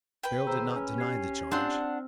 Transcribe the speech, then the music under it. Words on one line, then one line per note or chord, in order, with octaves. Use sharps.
Beryl did not deny the charge.
B4 G5
A2 D#3 G#4 C5 A#5 E6
C#4
G4 G#6 C7
C4 D4 F4 F#5